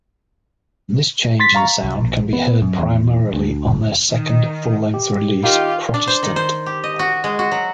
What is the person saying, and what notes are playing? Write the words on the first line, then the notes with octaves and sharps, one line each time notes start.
This change in sound can be heard primarily on their second full-length release, "Protestant".
C6 A6 B6
F5 A#5 C#6
C2
A#1
B3
F#2
E2
D2
F#1
D#3
G4
D#3 D#4 F4 G4 F5
D4
C5
D#3
C5
G4
D#5
F#4
G#3
F#4
F#3